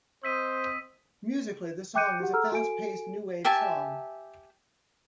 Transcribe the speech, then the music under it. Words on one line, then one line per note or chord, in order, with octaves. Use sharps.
Musically, the song is a fast paced new wave song.
C4 C5 D#5 E6 B6 D#7
G5 D6 F#6 G6 C#7 D#7
F#4 G4 F#5
G#4 A4 F#5 A#5 E6 F6
F#4 A4 G#5 D7
G4 E5 G#5 A5